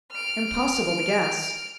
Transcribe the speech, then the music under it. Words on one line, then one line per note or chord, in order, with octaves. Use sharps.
Impossible to guess.
F6 D7